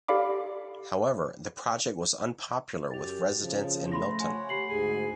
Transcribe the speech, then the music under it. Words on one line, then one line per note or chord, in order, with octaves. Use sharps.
However, the project was unpopular with residents in Milton.
G4 A4 D5 F5 B5 D6
F#2 G4 A6 F7
C#3 F3
A3 B5 C6 A#6
C#5 F#5 G#5 B5
G4 B5 C7 F#7
D2 G#2 G#4 G#5